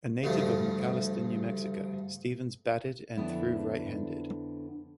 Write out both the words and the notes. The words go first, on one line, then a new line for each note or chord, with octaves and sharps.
A native of McAlister, New Mexico, Stephens batted and threw right-handed.
D2 G2 C#3 F3 A3
F2 D3 B3 D4 E4